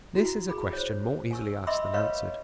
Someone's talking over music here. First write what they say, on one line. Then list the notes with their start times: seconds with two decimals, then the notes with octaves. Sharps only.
This is a question more easily asked than answered.
0.15 E4 F#4
0.49 G#4 B5
0.73 C5 C#5
1.31 G#5 C#6 E6
1.67 D#5 E5 B5 C6 D6 E6
1.94 B4 C#5 D#5 F5 B5 C#6